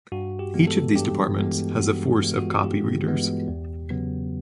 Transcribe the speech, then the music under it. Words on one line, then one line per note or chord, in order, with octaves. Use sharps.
Each of these departments has a force of copy-readers.
G2 F#4
G4
E3 G#3 B3
A4
G2 G4
E3 G#3 B3
G2 F#4
E3 G#3 B3
F4
F#4
G2 G4
E3 G#3 B3
E2
C#3 F#3 B3